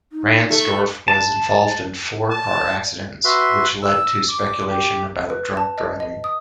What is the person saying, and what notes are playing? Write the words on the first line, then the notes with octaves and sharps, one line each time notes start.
Ransdorf was involved in four car accidents, which led to speculation about drunk driving.
D#4
A3
A5
A5
F#4 B4 E5 C6
E6
D6
G4
B4
A5
D#5
D#5
D#6